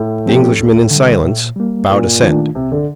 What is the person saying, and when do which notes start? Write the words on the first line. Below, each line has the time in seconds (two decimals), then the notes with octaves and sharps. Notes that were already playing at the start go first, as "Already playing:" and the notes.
The Englishmen, in silence, bowed assent.
Already playing: A2
0.26 F3 C4 G4
0.58 D#2
0.91 D3 G3
1.24 A#2
1.56 G3 A#3
1.90 G2 A#2
2.22 D#3 A3 D4 F4
2.55 C2 C3
2.72 D3